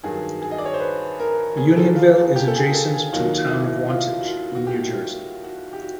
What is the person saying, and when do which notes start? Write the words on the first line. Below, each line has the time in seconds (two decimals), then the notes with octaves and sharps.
Unionville is adjacent to the Town of Wantage in New Jersey.
0.03 G2 D#3 F#3 G#4
0.42 G#4
0.51 D#5
0.58 D5
0.65 C#5
0.74 C5
0.80 B4
1.19 A#4
1.57 G#4
1.77 A4
1.96 F4
2.36 G4
2.48 A4
2.55 G#4
2.74 A4
2.94 G#4
3.12 D#2 D#3 F#3 F4
3.51 E4
3.90 F4
4.21 F#4
4.28 F4
4.55 F#4
4.67 G4
5.44 F#4
5.73 G4
5.82 F#4